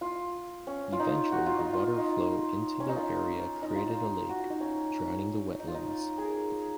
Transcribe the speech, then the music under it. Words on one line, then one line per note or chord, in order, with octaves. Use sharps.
Eventually the water flow into the area created a lake, drowning the wetlands.
F4
C#4
F4
D#4
F#4
F4
D#4
F4
D#4
C#4
D#4
F4
D#4
F4
D#4
F#4
F4
D#4
C#4
D#4
F4
D#4
G#4
A#4